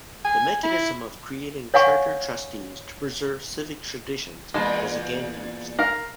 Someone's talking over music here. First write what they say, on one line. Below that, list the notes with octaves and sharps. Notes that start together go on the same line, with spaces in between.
The mechanism of creating charter trustees to preserve civic traditions was again used.
G#5
E4
C#5 F5 F#5 G#5 C#6
E2 A#2 G#3 A5
A#4 F5